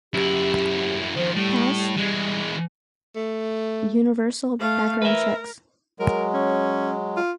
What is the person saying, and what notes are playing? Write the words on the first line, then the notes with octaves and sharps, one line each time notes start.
Pass universal background checks.
F#2 E4 G4
F2 D#3 C5
A2 G3
E3 G#3
A3
A3 F5
A#4 B4 E5
F#3 G#3 A#4
C#4
F4